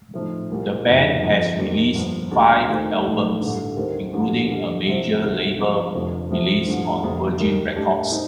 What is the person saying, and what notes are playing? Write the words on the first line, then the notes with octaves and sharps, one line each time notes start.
The band has released five albums including a major label release on Virgin Records.
A2 F3 C4 D#4
C2 A#2 G3
F1 F2 C3 D#3
G1 F2 D3 F3
F2 D#3 G3 A#3
G1 G2 F3
D2 D3 G3 D4
D#2 D#3 A3 C4
A#1 A2 A3 D#4
A1 G2 D3 A3
D#2 D#3 G3 C4
A1 G2 D3 F3 A3
G2 D3 G3
C2 C3 F3 C4
D2 C3 D#3 A3
G1 G2 F3 C4
F1 F2 D3 F3
D2 C3 F3
A1 G2 D3 F3
F1 F2 D3 G3 A#3
D#2 D#3 G3
A2 G3 D4
C4 D#4